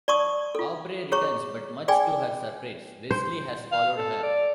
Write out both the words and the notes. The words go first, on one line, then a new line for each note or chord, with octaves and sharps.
Aubrey returns, but much to her surprise, Wesley has followed her.
D5 A5 C#6 D#6
F4 A4
G#4 C#5 A#5 C#6
G#4 D5 G5 G#5
C5
F5
A4
D5